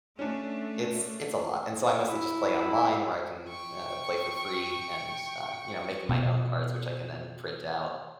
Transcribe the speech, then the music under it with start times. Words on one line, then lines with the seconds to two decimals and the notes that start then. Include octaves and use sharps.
it's it's a lot and so I mostly just play online where I can, uh, play for free and, uh, you know, making my own cards, which I can then print out.
0.19 A3 C#4 D4
2.07 E4
3.45 G5 C#6
6.09 B2 B3